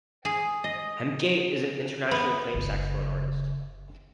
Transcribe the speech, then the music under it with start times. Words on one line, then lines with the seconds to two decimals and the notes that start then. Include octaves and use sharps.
Hemke is an internationally acclaimed saxophone artist.
0.25 G#4
0.64 D#5
2.11 B3
2.54 F#1 C#3